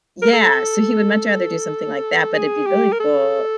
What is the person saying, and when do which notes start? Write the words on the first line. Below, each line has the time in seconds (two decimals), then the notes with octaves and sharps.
Yeah, so he would much rather do something like that, but it'd be really cool.
0.22 A#4
0.33 A4
2.33 G#4
2.67 G4
2.92 A#4
3.00 A4